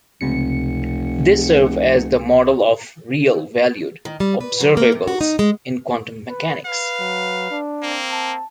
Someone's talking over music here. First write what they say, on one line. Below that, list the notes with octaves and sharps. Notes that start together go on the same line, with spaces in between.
They serve as the model of real-valued observables in quantum mechanics.
F1 C#2 C3 C#7
D#3
G3
B4
F#3
A#3
C3
F#4
D#4
G#3
B4
B4 F5
F#3
D4
A#3 C4
A5